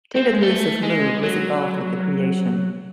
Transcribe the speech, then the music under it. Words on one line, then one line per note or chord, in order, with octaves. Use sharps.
David Luce of Moog was involved with the creation.
C4
G#3
A3
G#3
F#3